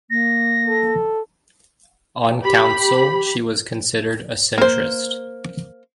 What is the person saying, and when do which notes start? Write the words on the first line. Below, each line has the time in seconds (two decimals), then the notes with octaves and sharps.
On council, she was considered a centrist.
0.10 A#3 A#6
0.66 A4
2.42 G4 B5
4.58 A#3 C5